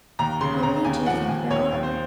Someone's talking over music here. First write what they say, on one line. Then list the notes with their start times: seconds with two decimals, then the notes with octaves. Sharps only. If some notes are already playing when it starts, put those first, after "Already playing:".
How many do you think there are?
0.19 D#2 A#5
0.41 C#3 C6
0.63 C#3 A#5
0.84 D#2 G#5
1.06 F3 F#5
1.28 D#2 G#5
1.50 D#2 C#5
1.72 D#2
1.83 C5